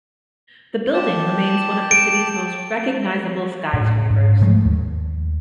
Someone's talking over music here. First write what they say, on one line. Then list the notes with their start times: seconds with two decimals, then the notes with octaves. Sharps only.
The building remains one of the city's most recognizable skyscrapers.
0.94 G4 A5
1.91 D7
3.73 A2
4.10 G#2
4.41 G#2 F3 G#3 A3
4.65 D#2